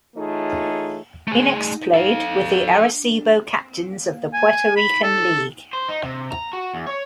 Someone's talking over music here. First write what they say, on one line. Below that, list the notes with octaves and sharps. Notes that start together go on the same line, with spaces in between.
He next played with the Arecibo Captains of the Puerto Rican League.
E3 A3 D#4 F4 G#4 C#5
A3 G#4
A4 F5
G#5
B5
A4
C5
D#4
C3
A#5
F#4
E2
C#5